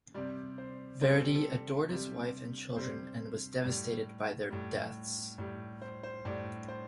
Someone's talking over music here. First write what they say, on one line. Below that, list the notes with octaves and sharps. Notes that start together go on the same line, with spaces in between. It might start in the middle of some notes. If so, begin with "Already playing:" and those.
Verdi adored his wife and children and was devastated by their deaths.
C3 G3 D5
C5
C3 G3 C5
A4
G4
A4
C3 G3
C3 G3 C5
A2 G3
A2 G3
A2 G3
C5
C5
A2 G3 D5
C5